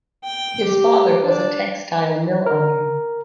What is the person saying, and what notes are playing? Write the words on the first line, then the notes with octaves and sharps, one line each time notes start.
His father was a textile mill owner.
G5
G4
D4
A#4